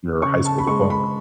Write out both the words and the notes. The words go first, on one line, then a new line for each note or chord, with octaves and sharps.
your high school diploma.
C#3 C#6
A5
B5
G#3 C#6
B5